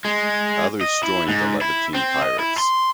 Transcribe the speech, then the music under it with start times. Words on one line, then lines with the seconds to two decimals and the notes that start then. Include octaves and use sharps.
Others joined the Levantine pirates.
0.05 G#3
0.81 D#5
1.03 E4
1.28 G#2
1.61 E4
1.94 C4
2.22 D#5
2.39 E4
2.58 C6